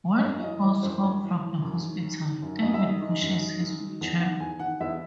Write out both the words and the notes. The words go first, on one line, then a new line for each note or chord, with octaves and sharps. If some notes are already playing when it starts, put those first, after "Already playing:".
When he goes home from the hospital, David pushes his wheelchair.
D#5
F#2 C#5
E3 D#5
E3 C#5
F#2 C5
F#2 C#5
E3
E3
F#2
D#3
D#3
D#3
F#2
F#2 D#5
E5
D#3 D#5
D#3
F#2
D#3
D#3
D#3
E2
D#3 F#5
E2 G#5
D#3 F#5
E2 E5